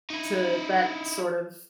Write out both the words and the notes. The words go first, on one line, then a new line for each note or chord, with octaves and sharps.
to that sort of
D#4 E4